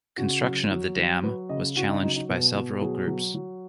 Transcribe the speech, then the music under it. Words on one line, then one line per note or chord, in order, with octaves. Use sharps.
Construction of the dam was challenged by several groups.
C#3 F#4
F#3
F#3
F#3
F#3 B4
C#3 D#5
C#3 F#4
D#4
F#3 D#4
D#4
B2
B2
F#3 G#4
F#3
F#3